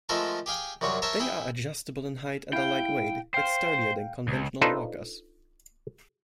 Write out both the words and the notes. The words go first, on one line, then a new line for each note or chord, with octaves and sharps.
They are adjustable in height and are light-weight, yet sturdier than conventional walkers.
F3 G#3 A3 F4 A4 A#4
G4 G#4 F5 G5
C2 F#2 C3 F#3 C#5
A#4 C5 C#5 E5 A5
E4 G#4 G5
E4 F5 G5
C5 F5 G5
C#2
D4 D#4 F4 A4 B4 C5